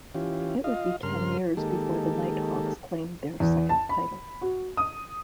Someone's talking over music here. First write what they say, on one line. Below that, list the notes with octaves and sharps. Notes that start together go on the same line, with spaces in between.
It would be ten years before the Knighthawks claimed their second title.
E3 C#4 F4 G4
F4 D#5 F5
G2 C#3 A#4 C6 F6
D#3 G#3 A#3 G4 A4
E2
A5
B5
F#4
D#6